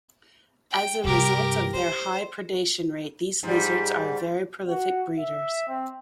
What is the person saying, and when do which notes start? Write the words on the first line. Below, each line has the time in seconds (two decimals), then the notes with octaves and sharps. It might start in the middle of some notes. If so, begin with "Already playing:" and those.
As a result of their high predation rate, these lizards are very prolific breeders.
0.71 G5
1.04 G2 C3 G4 A#4
1.74 E4 C5
3.43 G#2 G3
4.69 F#4
5.18 E5
5.68 C4